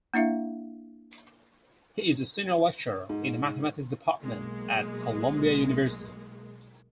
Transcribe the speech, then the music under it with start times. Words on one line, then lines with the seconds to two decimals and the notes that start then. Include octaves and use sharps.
He is a Senior Lecturer in the Mathematics department at Columbia University.
0.14 A#3 D4 E4 E5 F5
3.09 G#2
4.21 B1 G#3 A#3